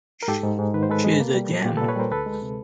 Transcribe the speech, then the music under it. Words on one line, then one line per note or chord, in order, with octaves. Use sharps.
She’s a gem.
A#4
G#2 G4 A4
G#2
G#2
D#3 B4
C5
G#3 A4 B4
G#3
A#3
G3
A#2
A#2 F4 G4
A#2 A4 B4
B4 C#5
G3 A#4 C5
D2 A4 B4
G#3
C3